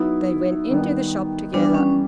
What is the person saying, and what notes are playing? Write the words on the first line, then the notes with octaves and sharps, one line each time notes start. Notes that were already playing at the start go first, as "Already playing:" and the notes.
They went into the shop together.
Already playing: F#3 B3 D#4 E4
D#3 G3 B3
E3 G3 B3 D4
C#4